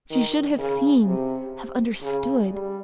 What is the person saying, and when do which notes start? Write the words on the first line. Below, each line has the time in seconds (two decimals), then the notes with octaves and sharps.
She should have seen--have understood.
0.11 D#3
0.59 C#3
1.07 C3
2.02 C#3
2.50 G3